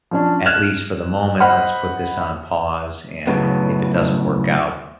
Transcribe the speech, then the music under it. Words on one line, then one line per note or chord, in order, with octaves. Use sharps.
at least for the moment, let's put this on pause. And if it doesn't work out,
F3 C#4 D4
F6 F#6 G#6 E7 F7
C5 D#5 F#5 B5 F6
F#2 A2 C#3 B3